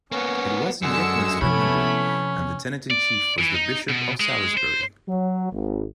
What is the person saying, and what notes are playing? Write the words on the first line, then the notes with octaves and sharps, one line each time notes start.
It was in Yetminster Hundred and the tenant-in-chief was the Bishop of Salisbury.
A#3 B3 C#4
F#2 D3 G#3 E6 C#7
C3 F3 A3 B3 C#4 E4 B5
D5
E3
D#4
B2
G#3
C5
F#3
G#1